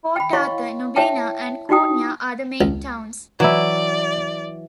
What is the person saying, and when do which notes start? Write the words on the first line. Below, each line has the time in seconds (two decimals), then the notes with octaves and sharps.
Port Arthur, Nubeena and Koonya are the main towns.
0.16 G5 B5
0.33 E4 C#5 D#5 F5 C6 C#6
0.96 E4 C#5 E5 G5 A5
1.69 D#4 E4 F#4 G5 D#6
2.61 C#2
3.40 E3 F#3 E4 D5